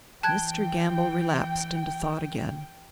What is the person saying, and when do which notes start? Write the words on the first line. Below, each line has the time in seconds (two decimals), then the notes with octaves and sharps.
Mr. Gamble relapsed into thought again.
0.23 E3 G5 A5 F#6 G#6